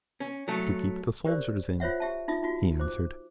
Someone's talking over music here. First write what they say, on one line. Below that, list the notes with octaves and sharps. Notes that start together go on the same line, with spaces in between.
"To keep the soldiers in," he answered.
C#4
F#3 A3
G4 A#4 C5 D5
F4 C5 C#5 E5 F#5
G4 E5 A5
D#4 F4 E5 D#6
D#4 F4 F#4
C5 D6